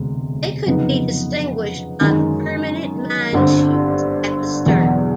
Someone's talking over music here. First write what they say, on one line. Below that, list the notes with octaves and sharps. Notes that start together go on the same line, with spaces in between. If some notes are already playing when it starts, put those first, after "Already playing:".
They could be distinguished by the permanent mine chutes at the stern.
Already playing: E1 D2 C3 G#3
F2 C#3 F#3 B3 D#4
F#2 D#3 G#3
G1 G2 D3 G3 C4
E2 B2 F#3